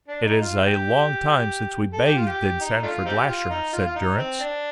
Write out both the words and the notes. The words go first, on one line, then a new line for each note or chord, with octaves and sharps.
"It is a long time since we bathed in Sandford Lasher," said Durrance.
D4
D#4
F4
G4
A4
G4
F4
G4
D#4
A3 D4 F4
C4 D#4 G4
F4
D#4
F4
F4
D#4
C4
D4